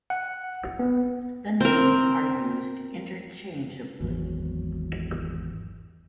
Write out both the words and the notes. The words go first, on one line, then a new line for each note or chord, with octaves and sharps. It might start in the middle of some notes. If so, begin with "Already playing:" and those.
The names are used interchangeably.
F#5
B3
C4 A#4
G#1 E2 F#3